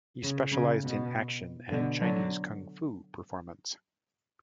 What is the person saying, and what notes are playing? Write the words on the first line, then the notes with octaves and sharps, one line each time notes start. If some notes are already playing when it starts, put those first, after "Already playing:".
He is specialised in action and Chinese Kung Fu performance.
C#3
C#3
B2
B2 D3
D3 F#3